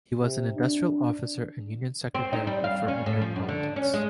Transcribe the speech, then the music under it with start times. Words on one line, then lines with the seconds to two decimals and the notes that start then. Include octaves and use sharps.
He was an industrial officer and union secretary before entering politics.
0.18 C3
0.56 D4
2.15 C4
2.33 D#4
2.47 G3
2.64 F5
2.88 C#4
3.06 A2
3.21 F3
3.36 F#2
3.48 D3
3.76 C#4
3.94 G#3